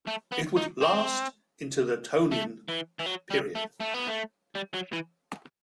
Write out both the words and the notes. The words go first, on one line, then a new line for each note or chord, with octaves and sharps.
It would last into the Tonian period.
A3
B3
D#4
C4
A3
E3
E3
F#3
G3
A3
A3
B3
A3
G3
F#3
E3